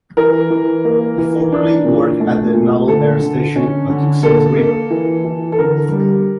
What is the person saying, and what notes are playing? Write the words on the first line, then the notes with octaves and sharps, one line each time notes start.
He formerly worked at the Naval Air Station Patuxent River.
E3 A#4
E3
A#3
E3
D4
A#2
A3
A#2
D3 A4
D3
C#4
D3
A#3 A4
A#3
E3
E3
A4
D3 A#4
G3